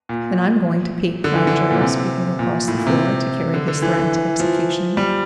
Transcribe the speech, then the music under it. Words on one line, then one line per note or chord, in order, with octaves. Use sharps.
"Then I'm going to peek," cried Joel, squeaking across the floor to carry his threat into execution.
A#2
D3
E3
D3
A#2
C3
A#2
A2
A#2
C3
D3
D3
E3
F3
G3